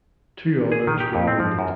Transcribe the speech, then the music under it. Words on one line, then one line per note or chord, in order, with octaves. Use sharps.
Two others were wounded.
G#4
D#3
G4
F2
C4
F3
F#2